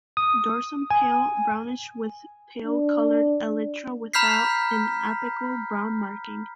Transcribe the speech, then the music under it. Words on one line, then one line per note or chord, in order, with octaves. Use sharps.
Dorsum pale brownish with pale coloured elytra without an apical brown marking.
D#6
G#5
D4
A#5 B5 F6 G6 B6 C7